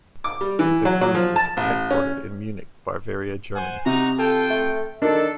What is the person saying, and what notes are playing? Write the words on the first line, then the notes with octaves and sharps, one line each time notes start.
The group is headquartered in Munich, Bavaria, Germany.
D6
G3
E3
F#3
F#3
F3
A5
A1
C#4
C5 F#5 G#5
C3 D#4 F#4 A#5
F4 A4 G5
A3
D#3 D4 A4